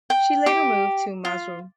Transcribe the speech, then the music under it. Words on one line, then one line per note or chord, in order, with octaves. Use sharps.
She later moved to Maizuru.
G5
G4
F4